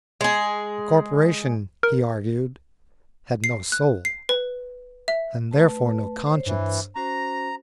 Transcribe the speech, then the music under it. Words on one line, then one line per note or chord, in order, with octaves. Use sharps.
A corporation, he argued, had no soul, and therefore no conscience.
G#3 G#4
A#4
C7
F#6
C7
B4
E5
A3 B4 A5
C5 C#5
G2 E3
C#4 F#4 C5 A#5 A#6